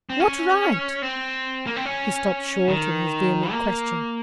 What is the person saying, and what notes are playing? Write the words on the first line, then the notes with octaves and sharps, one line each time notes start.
What right--?' He stopped short in his vehement question.
C4
C#4
C4
A#3
C4
C#4
D#3
A#3